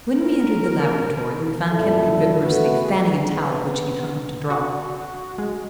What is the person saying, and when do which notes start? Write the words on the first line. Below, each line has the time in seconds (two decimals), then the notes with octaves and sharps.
When we entered the laboratory we found Kennedy vigorously fanning a towel which he had hung up to dry.
0.18 A#4
1.71 F#2 A#2 E4 A4
2.41 A3 B3 F#4 B4
2.81 G#4
3.24 B3
4.50 F#4
5.38 G#3